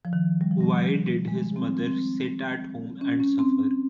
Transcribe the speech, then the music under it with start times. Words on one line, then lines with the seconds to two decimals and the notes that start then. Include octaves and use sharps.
Why did his mother sit at home and suffer?
0.05 F3
0.13 D#3
0.41 G3
0.51 F3
0.61 G3
1.28 G#3
1.56 C4
1.86 C4
3.01 C#4
3.20 C#4
3.39 C4